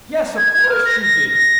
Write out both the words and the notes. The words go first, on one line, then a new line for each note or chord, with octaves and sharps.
'Yes, of course you did!
G#6
G#6
F6
A#6
A#6
A#6